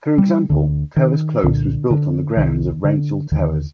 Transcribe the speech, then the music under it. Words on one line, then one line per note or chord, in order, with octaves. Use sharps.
For example, Towers Close was built on the grounds of Rouncil Towers.
G3
D2 D3
D#3
C2 A#2 D3
D3
C2 C3 D#3
D3
D#2 D3 D#3